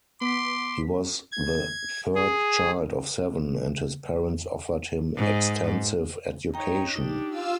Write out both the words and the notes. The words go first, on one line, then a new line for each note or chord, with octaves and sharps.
He was the third child of seven and his parents offered him extensive education.
B3 C6 D6 B6
G#6
G#4
G#2
D#4 C#5 G5 A#5
D4 D#4 G4
F4 F5 E6